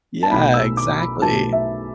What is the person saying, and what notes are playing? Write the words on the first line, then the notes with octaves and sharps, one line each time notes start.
yeah, exactly.
A5
B1 B2 A3 B5
E6
D6
B5
B1 B2 A3 A5
E5